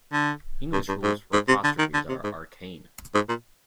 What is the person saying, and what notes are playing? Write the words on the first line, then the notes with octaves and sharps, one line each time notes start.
English rules for apostrophes are arcane.
D3
G2
G2
G#2
G#2
C3
D3
D#3
D3
C3
G#2
G#2
A#2